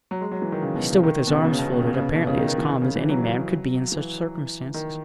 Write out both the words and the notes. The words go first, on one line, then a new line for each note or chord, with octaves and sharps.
He stood with his arms folded, apparently as calm as any man could be in such circumstances.
F#3
G#3
F#3
E3
D#3
C#3
B2
C#3
D#3
B2
C#3
B2
C#3
B2
C#3
B2
C#3
B2
C#3
B2
C#3
B2
C#3
D#3
D#3
E3
D#3
C#3
E3
F#3
E3
D#3